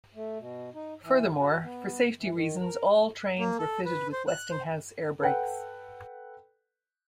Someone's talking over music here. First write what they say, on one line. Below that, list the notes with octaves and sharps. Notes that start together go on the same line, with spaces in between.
Furthermore, for safety reasons all trains are fitted with Westinghouse air brakes.
A3
B2
D#4
E3
F#4
B3
E3
D#3
A#4
A#3
A4
B4
C5
F#6
C5
A4 B4 F#5 G5